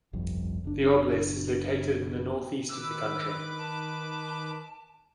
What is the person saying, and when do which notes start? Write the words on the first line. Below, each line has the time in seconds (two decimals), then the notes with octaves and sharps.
The Oblys is located in the northeast of the country.
0.13 G1 C2 F2
0.64 F#1 D4
2.69 D#3 B4 D6 E6
3.58 A5